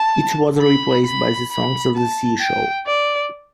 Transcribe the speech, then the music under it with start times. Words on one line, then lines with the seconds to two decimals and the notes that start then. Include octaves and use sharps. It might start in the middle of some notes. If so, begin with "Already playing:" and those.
It was replaced by the "Songs of the Sea" show.
Already playing: A5
0.61 B5
1.06 B5
1.52 B5
1.96 A5
2.42 G5
2.87 D5